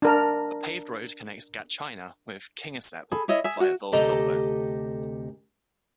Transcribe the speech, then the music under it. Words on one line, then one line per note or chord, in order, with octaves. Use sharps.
A paved road connects Gatchina with Kingisepp via Volosovo.
D4 A#4
G#4 A4 B5
E4 C#5 D#5 E5
G#4 E5
F#4
D2 C3 G4 A4 D#5 A#5